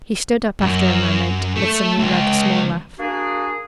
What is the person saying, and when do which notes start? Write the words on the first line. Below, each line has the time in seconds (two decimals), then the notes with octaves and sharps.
He stood up after a moment, with some thing like a small laugh.
0.60 F#2
1.56 A3
1.99 C#2
2.98 A#3 D4 F#4 G#4